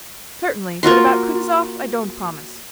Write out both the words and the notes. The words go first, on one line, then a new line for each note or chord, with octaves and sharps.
"Certainly; but about Kutuzov, I don't promise."
A#3 F4 F#4 C6